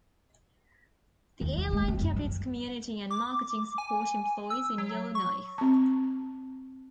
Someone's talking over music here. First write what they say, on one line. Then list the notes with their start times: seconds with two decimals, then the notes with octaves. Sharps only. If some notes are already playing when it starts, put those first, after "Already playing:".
The airline kept its community and marketing support employees in Yellowknife.
1.41 D#2
1.58 F#3
1.73 G#3
1.88 C4
2.01 F#2
2.16 F#3
3.11 D6
3.78 G#5
4.50 E6
4.78 F#3
5.15 C#6
5.58 C4 A5